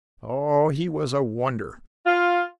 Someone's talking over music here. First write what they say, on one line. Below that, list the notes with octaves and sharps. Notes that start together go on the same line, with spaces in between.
Oh, he was a wonder!
F4